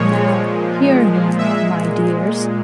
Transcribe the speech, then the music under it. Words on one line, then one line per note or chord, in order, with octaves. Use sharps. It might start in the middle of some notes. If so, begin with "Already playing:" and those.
Now, hear me, my dears!
Already playing: A#2 F3 G#3 C#5
A#2 G#3 E5